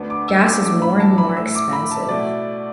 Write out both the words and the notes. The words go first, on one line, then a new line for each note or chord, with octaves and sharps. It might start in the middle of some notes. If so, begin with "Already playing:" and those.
Gas is more and more expensive.
Already playing: D2 D3 B3 D4
D6
E6
D6
A2 E3 A3 D4 D6
B5
A5
B5
A2 A3 E4 E6
D6
B5
A5
B2 A3 E4 D5